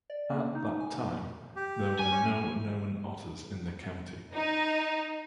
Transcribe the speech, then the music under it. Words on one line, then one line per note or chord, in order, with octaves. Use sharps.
At that time, there were no known otters in the county.
D5
A#3
D#4
G#5
G4
G#5
C#4 C#5
D#4